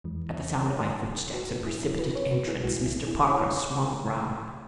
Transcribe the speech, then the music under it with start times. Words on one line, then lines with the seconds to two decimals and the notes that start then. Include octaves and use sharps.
At the sound of my footsteps and precipitate entrance Mr. Parker swung round.
0.04 E2 E3 G#3
0.69 G#4 C#5
1.34 F#4 B4
1.67 E4 G#4
1.99 F#4 B4
2.11 B4
2.15 G#4 C#5
2.31 F#4 B4
2.47 E4 G#4
2.64 B1 B2 G#3 F#4
2.86 E4
3.07 E4 G#4
3.29 G#4 C#5